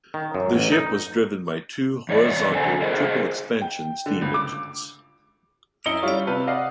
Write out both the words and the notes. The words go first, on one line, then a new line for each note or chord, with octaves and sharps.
The ship was driven by two horizontal triple expansion steam engines.
D#3
F#2
A1
D#4
E2 C#5 D5
D3 A4 C5 G#5
F4 G#4 A#4 C5 D#5
G5
D3
C#2
D6
F#2 E4 D#5 C#7 G7
G3 E4 F4 C#5
C3 F4 B4
D5 D#5 F5 F#5 C7